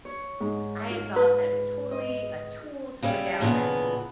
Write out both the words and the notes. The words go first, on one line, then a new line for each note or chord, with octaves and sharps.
I had thought that it was totally a tool to put down women,
C#5
G#2
F4
B4
D#5
C#3 G3 E4
F2 A#2 C#3 E3 B3